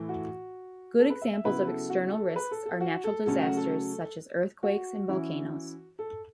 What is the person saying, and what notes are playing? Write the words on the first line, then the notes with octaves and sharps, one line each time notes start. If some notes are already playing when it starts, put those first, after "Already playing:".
Good examples of external risks are natural disasters such as earthquakes and volcanoes.
Already playing: A2 E3 A3 E4
F#4
A4
B4
E5
E5
C#3 F#3 B3 E4 B4
A4
F#4
A4
B4
A4
A4
F#4
A4
C#3 F#3 A3 C#4 A4
F#4
A4
F#4
E3 C#4 E4
A4